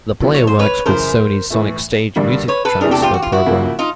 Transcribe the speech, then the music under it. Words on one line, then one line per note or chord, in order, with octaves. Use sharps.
The player works with Sony's SonicStage music transfer program.
D3 F#3 B3 E4
C#5
C5
B4 C#5
F#2 C#3 E3 A#4 C5
A2 E3 A3
G2 D3 G3 A#3 D4
B4 C#5
A4 B4
E2 C3 E3 A3 D4 G#4 A#4
G4 A4
F4 G4
F#4
F4
E4 F#4
C#3 F3 A#3
D#4 F4